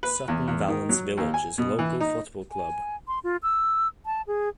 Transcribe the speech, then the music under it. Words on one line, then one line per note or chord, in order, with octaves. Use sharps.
Sutton Valence Village is a local football club.
B4
E2
E2
D#3
F#3
D#2
G#5
B2
E3
D#4
G#5
C6
F4
E6
A5
G#4